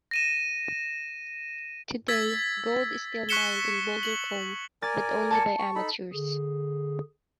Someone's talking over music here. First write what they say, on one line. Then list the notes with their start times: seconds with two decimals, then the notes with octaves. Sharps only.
Today, gold is still mined in Bouldercombe, but only by amateurs.
0.11 A#6 D#7 E7
2.08 E6 G#6 A6 B6
3.29 C#6 F#6 B6 C#7 E7 G7
4.03 F#7
4.82 A#4 D5 G#5 A6
5.31 A5 A6 C#7
5.59 C#6
5.75 D#4 A4 B5
6.13 D3 G#4